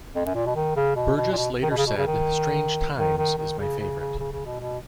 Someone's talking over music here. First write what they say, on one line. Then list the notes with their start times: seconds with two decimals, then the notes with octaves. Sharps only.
Burgess later said, "Strange Times" is my favourite.
0.15 F2
0.25 F#2
0.35 A#2
0.46 B2
0.56 D#3
0.76 C#3
0.96 B2
1.16 B2
1.32 A#2
1.36 B2
1.63 D#3
1.70 B2
1.77 C#3
1.87 B2
1.97 C#3
2.07 D#3
2.97 D#3
3.18 D#3
3.38 D#3
3.58 C#3
3.79 C#3
3.99 C#3
4.19 C#3
4.32 C#3
4.45 B2
4.60 B2